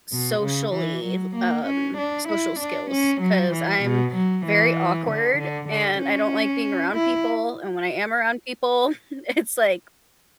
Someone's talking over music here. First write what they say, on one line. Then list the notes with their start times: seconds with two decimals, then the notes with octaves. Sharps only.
socially um, social skills 'cause I'm very awkward, and I don't like being around people. And when I am around people, it's, like,
0.12 B2
0.43 C#3
0.74 E3
1.05 F#3
1.36 A#3
1.67 C#4
1.98 D4
2.29 E4
2.60 D4
2.91 C#4
3.21 F#3
3.52 E3
3.83 B2
4.15 F#3
4.46 E3
5.08 D3
5.38 D3
5.69 D3
6.00 C#4
6.93 E4